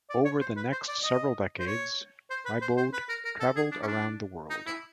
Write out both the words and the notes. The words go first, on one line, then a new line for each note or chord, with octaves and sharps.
Over the next several decades, Riboud traveled around the world.
D5
C#5
C5
B4
C5
D5
D#5
C5
C#5
C5
B4
C5
C5
B4
A#4
A#4
A4
G#4
D4
C#4
D4
D#4
E4